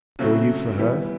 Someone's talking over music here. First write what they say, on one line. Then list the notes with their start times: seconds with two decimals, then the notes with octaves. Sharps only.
"Nor you for her?"
0.19 C#3 F#3 A3 C4
0.78 E3 G3 B3